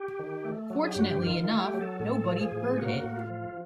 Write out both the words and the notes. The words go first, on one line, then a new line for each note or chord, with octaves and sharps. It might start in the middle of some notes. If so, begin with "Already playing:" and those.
Fortunately enough, nobody heard it.
Already playing: G4
D#3
A3
F#3
G#4
G4
G2 F#4
G4
D#3 F4
F4
A3
G4
F#3
A4
A2 A4
F3
G#4
A2
A#3 F#4
A2
F4
F3